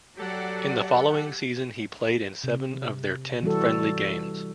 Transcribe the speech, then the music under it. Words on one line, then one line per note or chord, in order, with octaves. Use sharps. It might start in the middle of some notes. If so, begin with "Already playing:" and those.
In the following season he played in seven of their ten friendly games.
F#3 G4 A4 D5 F#5
C3
E3 G3 F#4 A4